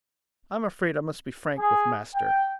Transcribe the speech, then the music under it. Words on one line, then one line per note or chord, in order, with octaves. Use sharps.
"I'm afraid I must be frank with master."
G#4
G5